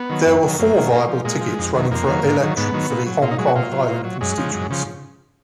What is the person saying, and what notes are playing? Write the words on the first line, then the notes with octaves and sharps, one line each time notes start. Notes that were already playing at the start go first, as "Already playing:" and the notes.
There were four viable tickets running for election for the Hong Kong Island constituency.
Already playing: B3
D#3 F#3
F#2
D#3 F#3
F#2 A#3
D#3 F#3
A#2
F3
A#2 G#3
F3
F2
D#3 F#3
F2 A#3
D#3 F#3
G#2
D#3 F#3
G#2 B3
D#3 F#3
A#2
F#3
A#2 F4
D#4
F#3 G#3
F#4
A#2 F4
F#3
A#2
F#3
F#2 G#3
C#3 F3
F#2
C#3 F3